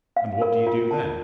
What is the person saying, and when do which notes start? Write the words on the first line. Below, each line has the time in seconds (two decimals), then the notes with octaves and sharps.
"And what do you do then?"
0.17 F5
0.42 A#4
0.67 F4
0.91 A5